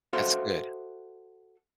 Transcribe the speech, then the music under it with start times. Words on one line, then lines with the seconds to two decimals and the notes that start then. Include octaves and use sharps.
That's good.
0.13 F#4 A4 C5 E5 F5